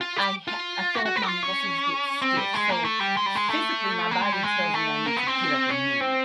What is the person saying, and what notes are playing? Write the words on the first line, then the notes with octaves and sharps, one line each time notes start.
I ha I feel like my muscles get stiff, so physically, my body tells me I need to get up and move.
F4
G4
F4
F#4
F#4
B4
F4
C#4
C4
G3
G#3
A#3
A3
G3
G#3
G3
G#3
A3
A#3
G#3
G3
G#3
A3
A#3
B3
C4
C#4
C4